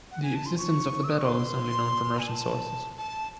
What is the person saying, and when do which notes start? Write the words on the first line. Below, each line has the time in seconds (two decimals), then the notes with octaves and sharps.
The existence of the battle is only known from Russian sources.
0.11 F#5
0.23 G#5
0.35 A5
0.46 C6
0.58 C#6
1.04 E6
1.10 D#6
1.18 C#6
1.25 C6
2.19 G#5
2.28 A5
2.97 A5